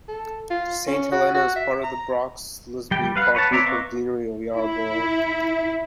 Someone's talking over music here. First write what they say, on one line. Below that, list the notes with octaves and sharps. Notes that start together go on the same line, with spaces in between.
Saint Helena's is part of the Brocklesby Park Group of the Deanery of Yarborough.
A4
F4
C#4
F#4
F#4
E5
A#5
G3 G5
G3
B4 F5 F#5
B4 C#5 F#5 A5
C4 C#5 D5 E5 A#5
B4 D#5 F5 C#6 D6
E4